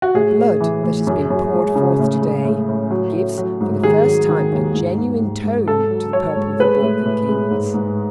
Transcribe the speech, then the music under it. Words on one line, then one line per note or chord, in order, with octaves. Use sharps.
The blood that has been poured forth to-day gives for the first time a genuine tone to the purple of the Balkan Kings.
F#4
A2 G#4
A2
E3
A2
F#2
F#2
G#3
C#3
A2
G#3
A2
A2
F#3
F#3
F#3
G#2
D#3 G#4
F#3
D#3
D#2
G#2
G#2
G#2
G#2
G#2 A4
F#3
F#3 C#5
G#2
G#3 B4
A2
A2
G#3
G#2
G#2